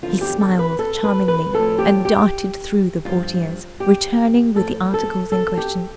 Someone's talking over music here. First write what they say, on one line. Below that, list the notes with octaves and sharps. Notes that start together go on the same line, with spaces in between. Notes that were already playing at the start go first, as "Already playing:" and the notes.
He smiled charmingly and darted through the portieres, returning with the articles in question.
E2 D3 F3 F4
G4
A4
B4
A4
B4
B4
A2 F3 A4
G4
G4
G2 F3 F4
G4
A2 F3 A4
A4
A4
G4